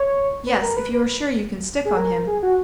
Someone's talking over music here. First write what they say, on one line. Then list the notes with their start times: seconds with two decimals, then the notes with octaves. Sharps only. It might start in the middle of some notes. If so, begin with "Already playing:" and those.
"Yes, if you are sure you can stick on him."
Already playing: C#5
0.47 B4
0.62 A#4
0.76 B4
0.92 B4
1.85 G#4
1.97 A#4
2.27 G#4
2.43 F#4